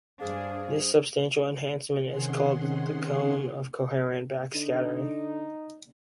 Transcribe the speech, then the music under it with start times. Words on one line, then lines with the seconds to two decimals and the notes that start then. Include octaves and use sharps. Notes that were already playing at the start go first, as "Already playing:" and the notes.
This substantial enhancement is called the cone of coherent backscattering.
0.21 G2 D4 G#4 C5 F5
2.02 C3 D#3 C#4 G#4 F#5 C6
4.54 D3 D#4